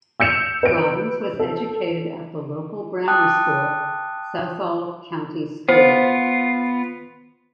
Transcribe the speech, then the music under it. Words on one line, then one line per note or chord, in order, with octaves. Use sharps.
Robbins was educated at the local grammar school, Southall county school.
E6 G6 C#7 E7 F7
B4 D7
A4
G5 A5 D6 D#6 F#6
B3 F4 C5